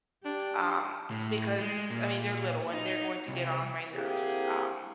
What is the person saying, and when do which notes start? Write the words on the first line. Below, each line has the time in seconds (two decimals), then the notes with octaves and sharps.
um, because, I mean, they're little and they're going to get on my nerves, um,
0.25 D4 G4
1.11 A2
1.60 G#3
1.91 A#2
2.74 D#4
3.28 C2
3.95 D3 A#3 C4 E4 G4 G#4